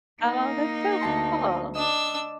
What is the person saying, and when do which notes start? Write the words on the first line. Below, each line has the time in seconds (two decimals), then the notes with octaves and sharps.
Oh, that's so cool.
0.22 A#3 D#4
1.01 D2 A5 C6
1.75 D4 D#5 E6